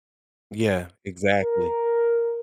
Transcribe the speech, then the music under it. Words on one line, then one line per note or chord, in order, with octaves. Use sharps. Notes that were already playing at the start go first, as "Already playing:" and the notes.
Yeah. Exactly.
A#4